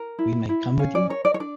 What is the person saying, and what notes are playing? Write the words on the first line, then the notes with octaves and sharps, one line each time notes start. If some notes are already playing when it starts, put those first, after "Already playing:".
We may come with you?
Already playing: A#4
E4
E4
C#4 F5
D5
A#4 C#5
D5
C#5
D4 D5